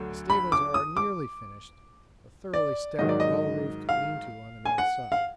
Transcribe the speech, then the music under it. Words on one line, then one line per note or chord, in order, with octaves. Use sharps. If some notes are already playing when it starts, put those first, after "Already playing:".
The stables are nearly finished--a thoroughly stout well-roofed lean-to on the north side.
Already playing: D2 D3 F#3
B5
D6
D#6
D6
D5
G#2 D#3 F#3 D#5
D5
D#5
F5
G#5
F#5
F5